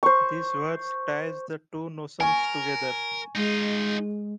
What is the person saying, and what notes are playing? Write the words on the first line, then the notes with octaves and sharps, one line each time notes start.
This verse ties the two notions together.
C5 C#6
A#4 G#5 C#6
G#3 D#4 F4